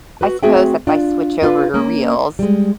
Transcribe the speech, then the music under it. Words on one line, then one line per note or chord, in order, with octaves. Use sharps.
I suppose if I switch over to Reels,
F#4 B4
A3 C4 F#4 G#4 E5 G5
D4 F4
D4 F4 B4
A#3 C#4
G3 G#3